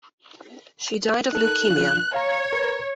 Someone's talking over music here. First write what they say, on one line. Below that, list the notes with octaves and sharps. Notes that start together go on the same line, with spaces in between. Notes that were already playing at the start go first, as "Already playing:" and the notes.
She died of leukemia.
D#4 A4 A#4 F#6
F3 D4 F4
C#5 F5 A#5
A#4 B4 A#5